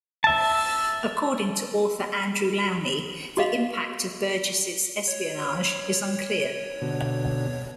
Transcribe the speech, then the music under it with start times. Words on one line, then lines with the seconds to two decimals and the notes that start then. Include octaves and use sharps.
According to author Andrew Lownie, the impact of Burgess's espionage is unclear.
0.24 E5 A5
3.37 F#4 D#5 F5
5.08 C#5
6.82 B2 D3